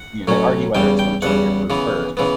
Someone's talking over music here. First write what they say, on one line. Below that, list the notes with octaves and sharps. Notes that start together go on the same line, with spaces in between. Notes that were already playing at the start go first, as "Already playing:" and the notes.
you know, they argue whether it's from Chile or Peru first, but
Already playing: F#5
A2 F#3 C#4
E2 C#3 G3 G5
G5
E2 C#3 G3 F#5
C#3 E3 B3
C#3 E3 B3